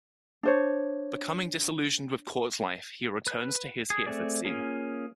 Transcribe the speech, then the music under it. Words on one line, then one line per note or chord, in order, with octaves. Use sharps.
Becoming disillusioned with court life he returned to his Hereford see.
D4 C5 C#5
B4 F#6
G#4
A3 C4 G#4 D5
A#3 C#4 F4 G#4